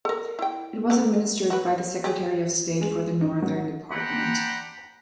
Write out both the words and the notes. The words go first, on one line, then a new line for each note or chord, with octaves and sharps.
It was administered by the Secretary of State for the Northern Department.
A4 A#4
E4 G5
D3 A#4
F#4 B4
G4 G#4
G#3
D#4
F#3
D4 G4 C5 F#5 A#5 B5